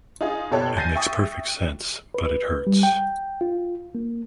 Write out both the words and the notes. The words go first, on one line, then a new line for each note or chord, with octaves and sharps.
It makes perfect sense, but it hurts.
D#4 F4 G#4
F#1 B2 G4 A4 C#5 F#6
G#5 G6 A6 A#6 C7 D#7
E5 G5 C#6 D#6
B4
G3
G5
F4
A#3